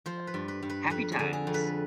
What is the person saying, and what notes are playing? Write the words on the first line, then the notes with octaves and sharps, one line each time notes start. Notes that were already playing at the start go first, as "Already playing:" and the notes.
Happy Times!
F3 C5
B4
G2
B4
G2
B4
F2 B4
G#4
D3
G#4
F2
B4